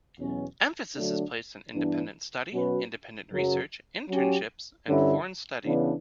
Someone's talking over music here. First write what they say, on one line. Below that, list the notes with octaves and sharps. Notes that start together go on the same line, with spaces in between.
Emphasis is placed on independent study, independent research, internships and foreign study.
E2 B2 F#3 C#4
D3 F#3 A3 D4
G2 E3 B3 D4
B2 F#3 C#4 F#4 B4
F#2 C#3 F#3
F#3 C#4 G4
G2 D3 G3 C#4 E4
C#3 E3 B3 D4